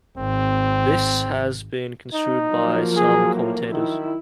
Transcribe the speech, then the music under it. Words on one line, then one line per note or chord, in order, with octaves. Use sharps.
This has been construed by some commentators.
G#1 C4
D#4
F3 F#3 A#3
G#4
A2
D#3 E4